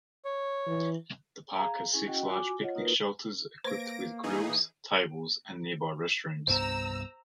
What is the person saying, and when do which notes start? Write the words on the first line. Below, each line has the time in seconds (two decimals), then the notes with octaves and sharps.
The park has six large picnic shelters equipped with grills, tables and nearby restrooms.
0.25 C#5
0.67 E3
1.56 G#4 F5 A#5
1.92 C#4 E4 G#4 G#5
2.07 C#4 F#4 D#5 F#5 G5
2.28 F4 F#4 G#5 D6
2.60 F4 C#5 D#5 F#5
2.75 A#3 D#4 F4 F#4 A#4 B4
3.64 A#3 B4 C5 A#6 D7
4.23 E3 D#4 G#4
6.48 C2 G2 B3 C5 A#5 E6